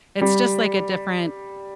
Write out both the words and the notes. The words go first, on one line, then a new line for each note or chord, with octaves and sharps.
it's just, like, a different
G3